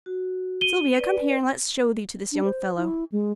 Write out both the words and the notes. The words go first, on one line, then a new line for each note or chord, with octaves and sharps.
Sylvia, come here, an let's show thee to this young fellow!'
F#4
D#7 G7
B4 D5
D4
C5
E4
G#3